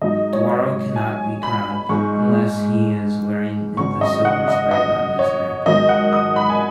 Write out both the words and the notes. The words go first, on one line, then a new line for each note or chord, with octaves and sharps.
Djaro cannot be crowned unless he is wearing the Silver Spider around his neck.
G#2 F#3 D#4 D#5
C#5
G#5
B5
G#2 G#3 D#4 C#6
G#1 F#2 C#3 C#6
D#5
F#5
D#5
D#5
C#5
G#2 D#3 F#3 D#5
F#5
D#6
B5
G#5